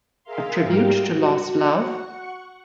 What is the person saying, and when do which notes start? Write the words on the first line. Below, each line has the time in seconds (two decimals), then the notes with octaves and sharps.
A tribute to lost love?
0.23 G#4 A#4 E5 F5 C6
0.63 G#2 G3 G4 A#4 F5 G5
0.95 F#4
1.68 F#5 C#6